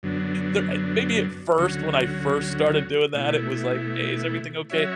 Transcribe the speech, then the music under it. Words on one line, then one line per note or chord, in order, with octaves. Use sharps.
they're, eh, maybe at first when I first started doing that it was like, "Hey, is everything okay?"
F#2 D3 F#3 B3 D4
D2 D3 F#3 C#4 F#4
B2 A3 E4
F#3 C#4 F#4 C#5 E5